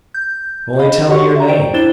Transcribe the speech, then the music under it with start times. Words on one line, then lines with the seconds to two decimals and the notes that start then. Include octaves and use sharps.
"Only tell me your name."
0.14 G6
0.79 D#5 F5 B5
1.09 F#4 G4 C#5 F#5 C6 C#6
1.36 E5 A#5
1.49 C5 D5 G5 D7
1.74 D4 E4 C5 A6 E7 G7